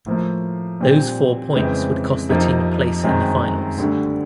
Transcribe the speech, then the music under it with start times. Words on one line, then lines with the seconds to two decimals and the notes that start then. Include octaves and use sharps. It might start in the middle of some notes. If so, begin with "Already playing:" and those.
Those four points would cost the team a place in the finals.
0.06 A2 F3 A#3
0.81 A#2 G3 C4
1.55 F2 C#3 E3 G#3 C4
2.29 F2 C3 F3 A#3 D#4
3.04 F#2 D#3 G#3 C4
3.78 D2 D3 G3